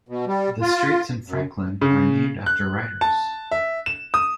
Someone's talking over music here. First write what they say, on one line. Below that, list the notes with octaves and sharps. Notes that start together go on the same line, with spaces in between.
The streets in Franklin are named after writers.
B2
G3
F4
F#2
C#3
F#6
A5
E5
E7
D#6